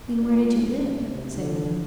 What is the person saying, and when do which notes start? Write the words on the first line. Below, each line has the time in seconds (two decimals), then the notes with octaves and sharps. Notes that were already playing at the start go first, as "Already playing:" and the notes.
'Then where did you live?' said Una.
0.17 A#2
0.56 F#2
1.01 C3
1.36 D3